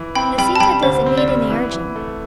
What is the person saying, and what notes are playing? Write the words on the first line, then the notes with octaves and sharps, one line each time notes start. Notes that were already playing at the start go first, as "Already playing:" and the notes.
Lisita doesn't need any urging.
Already playing: E3
C4 G5 B5
G3 G5 B5
A5
G3 G5 B5
D2 C5
C4
D5
G3
E3
E3
A3